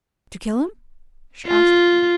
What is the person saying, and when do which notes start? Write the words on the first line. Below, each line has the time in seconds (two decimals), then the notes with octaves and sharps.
"Did you kill him?" she asked.
1.46 F4